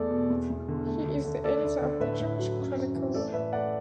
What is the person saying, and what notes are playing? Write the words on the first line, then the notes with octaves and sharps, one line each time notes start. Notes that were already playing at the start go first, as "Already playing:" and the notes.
He is the editor of "The Jewish Chronicle".
Already playing: E2 A3 A4 D5
B2
E2
E2
D3
A3
D2
D3
A3 A4 D5
D2
D3
A2 B4 E5
A2
F#3
F#2
F#2
E3
A3 A4 D5
A2 B4 E5
A3 D5 F#5